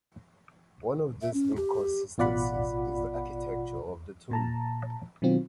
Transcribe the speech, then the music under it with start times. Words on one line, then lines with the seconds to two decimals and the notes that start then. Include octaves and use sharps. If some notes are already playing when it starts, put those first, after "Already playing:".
One of these inconsistencies is the architecture of the tomb.
1.22 E5
1.34 C#4
1.57 G4
2.18 A1 B2 F4 D5 F#5 B5
4.31 A#2 A5 A#5
5.22 B2 D#3 F#3 C4 F4